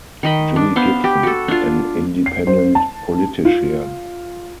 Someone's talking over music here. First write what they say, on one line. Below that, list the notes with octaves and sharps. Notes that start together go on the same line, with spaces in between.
Jilly Gibson, an independent politician.
D#3 D#5 B5
D4
B3 C5 F5
G4
F#4 A4
D4 F4
C7
C5
A5
F4